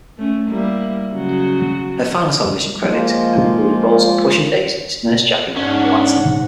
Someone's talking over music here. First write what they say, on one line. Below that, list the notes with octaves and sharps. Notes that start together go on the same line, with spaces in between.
Her final television credits have included roles on "Pushing Daisies", "Nurse Jackie", and "Enlightened".
A3 C#4
G3 A#3 E4
C#3 F#3 F#4
F3 G#3 A#3 F4
G#2 C#4 D4 F#5